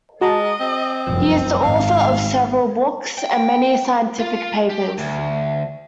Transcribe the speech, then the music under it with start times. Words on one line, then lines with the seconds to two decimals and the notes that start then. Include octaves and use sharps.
He is the author of several books, and many scientific papers.
0.21 G#3 F#4 D#5 A5 A#5
0.60 C4
1.07 F1 C2 F#2 F3
1.62 G#1 F5
3.18 G5
4.19 F4
4.69 G4
4.98 D2